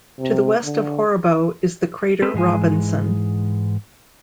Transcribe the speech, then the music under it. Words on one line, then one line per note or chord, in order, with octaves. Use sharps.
To the west of Horrebow is the crater Robinson.
C3
D3
C4 G4 A4 B4
G#2 E3 G#3 G#5